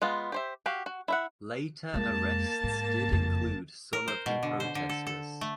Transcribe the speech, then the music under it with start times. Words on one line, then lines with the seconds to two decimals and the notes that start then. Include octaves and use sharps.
Later arrests did include some of the protestors.
0.02 G#3 B3 F4
0.32 G4 C5 E5
0.66 F#4 G4 F5
0.86 F#4
1.08 E4 E5 F#5
1.94 F2 G#3 A#3 A5
2.64 G#2
3.09 F#1 F2
3.93 A#4
4.08 C5
4.26 B2
4.43 D3
4.60 C5
4.75 D3
4.89 A4
5.07 A4
5.41 A3